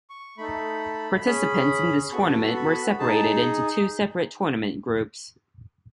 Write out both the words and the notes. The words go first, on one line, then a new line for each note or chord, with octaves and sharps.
Participants in this tournament were separated into two separate tournament groups.
C#6
A3 D#4 A4 B5
C#4 G#4
B3 F#4 A4 C#6
B5
D#4 G#4 A5